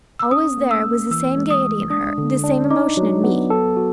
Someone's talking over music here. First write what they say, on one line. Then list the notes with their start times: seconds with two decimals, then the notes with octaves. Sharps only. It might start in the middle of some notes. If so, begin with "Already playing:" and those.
Always there was the same gaiety in her, the same emotion in me.
0.19 E6
0.31 C#4 D#6
0.58 A#3
0.71 E6
0.84 A#3
1.11 E3 E6
1.37 G#3
1.50 D#6
1.64 G#3
1.90 D4 D#6
2.18 D3
2.44 D4
2.71 D#4 D6
2.97 F#3
3.24 B3
3.50 A4
3.77 F#4